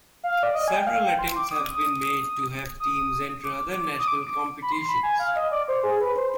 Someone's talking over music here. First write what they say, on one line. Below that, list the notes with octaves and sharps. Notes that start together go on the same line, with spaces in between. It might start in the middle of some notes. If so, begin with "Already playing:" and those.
Several attempts have been made to have teams enter other national competitions.
F5
D5
D#5
G#5
G5
F5
G5
C6
D6
D#6
D#6
D#6
D6
D#6
D6
B5
C6
B5
G#5
F5
D#5
D5
C5
G#4
B4
C5